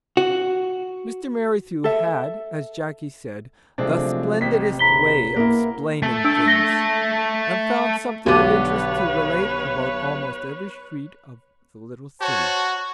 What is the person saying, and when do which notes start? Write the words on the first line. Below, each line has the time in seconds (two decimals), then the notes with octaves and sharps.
Mr. Merrithew had, as Jackie said, "the splendidest way of splaining things," and found something of interest to relate about almost every street of the little city.
0.17 F#4
1.84 A4 E5
3.78 C3 F3 F#3 G#3 A3 C4 D4
4.41 A1 C4 B6
4.79 A1 E2 A2 A#5 B5 B6 G7
5.36 A#3 B3 E4 A#4
6.03 A3 A4
6.24 D4 E6 D7
6.48 A#6 G7
8.26 B1 D3 B3 G4 B4 C#5
12.22 F#4 C5 C#5 A5